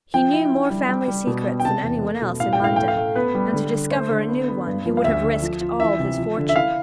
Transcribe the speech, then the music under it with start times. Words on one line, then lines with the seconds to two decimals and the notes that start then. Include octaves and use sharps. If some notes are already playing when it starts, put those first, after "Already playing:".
He knew more family secrets than any one else in London, and to discover a new one he would have risked all his fortune.
0.14 F3 G5
0.33 E4
0.52 D4
0.70 G3
0.89 G3
1.08 G3
1.27 B2
1.46 B3
1.60 G5
1.65 C3 A5
1.83 E2
2.02 A3
2.22 B2
2.40 A2 F5
2.53 G5
2.59 A2
2.64 F5
2.76 A3 G5
2.88 F5
2.97 A3
3.15 B3 B4
3.35 G3
3.53 D3
3.72 D3
3.91 A3 C5
4.10 D3
4.29 B3
4.48 B3
4.67 G2
4.86 F3
4.97 F5
5.04 D2 E5
5.23 D3
5.42 F3
5.61 F4
5.80 E3 E5
5.99 C3
6.18 F3
6.37 D3
6.49 E5
6.56 E4 F5